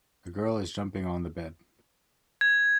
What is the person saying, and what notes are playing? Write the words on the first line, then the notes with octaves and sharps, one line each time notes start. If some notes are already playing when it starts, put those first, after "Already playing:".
A girl is jumping on the bed.
G#6